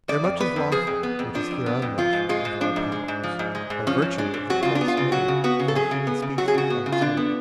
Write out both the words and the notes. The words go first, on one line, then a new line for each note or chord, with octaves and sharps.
There much is lawful which is here unlawful Unto our powers, by virtue of the place Made for the human species as its own.
F3 D5
F2
B3 B4
F2
F3 G#4
F2
B3
F2
F3 D4
F2
B3
F2
F3 F4
G#2
G#3 F4
G#2
F3 D4
G#2
G#3
G#2
F3
G#2
G#3
G#2
F3 C#4
G#2
G#3 D4
G#2
F#3 F#4
C#3 F4
D4
B3
F4
C#3
F#3 F#4
C#3
B3 F#4
C#3
A4
F#3 G#4
C#3
B3
C#3
F#3 F#4
G#4
C#3 F#4
B3
C#3
F4
D3 D4
B3